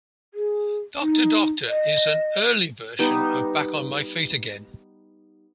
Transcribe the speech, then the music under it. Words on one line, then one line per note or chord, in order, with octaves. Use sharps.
"Doctor, Doctor" is an early version of "Back on My Feet Again".
G#4
D#4
D#5
G3 B3 D#4